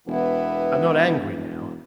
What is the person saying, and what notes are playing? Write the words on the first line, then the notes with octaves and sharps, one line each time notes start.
I am not angry now.
E1 E3 B3 E4